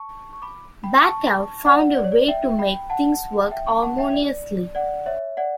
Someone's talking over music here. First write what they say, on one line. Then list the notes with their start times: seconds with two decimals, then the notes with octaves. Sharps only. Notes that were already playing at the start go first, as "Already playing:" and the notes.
Baca found a way to make things work harmoniously.
Already playing: A5 C#6
0.33 C#6
0.42 B5 D6
0.84 G5 B5
1.04 A5 C#6
1.66 D5 F#5
1.97 D5
2.04 C#5
2.12 D5
2.28 E5 G5
2.59 G5 B5
2.90 F#5 A5
3.51 E5 G5
3.67 A5 C#6
3.82 F#5 A5
3.98 E5 G5
4.13 D5
4.75 D5 F#5
5.06 C#5 E5
5.37 D5 F#5